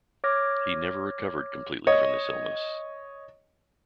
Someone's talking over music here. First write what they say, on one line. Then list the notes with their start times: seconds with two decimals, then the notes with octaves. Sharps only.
He never recovered completely from this illness.
0.24 C#5 D6 F6 G#6 A#6
1.87 C#5 D#5